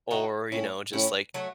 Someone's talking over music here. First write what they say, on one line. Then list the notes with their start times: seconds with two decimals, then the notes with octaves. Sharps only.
or, you know, just, like,
0.11 D#4 F#4
0.52 A2 C#4 E4
0.93 A2 C#4 E4
1.34 F#3 A3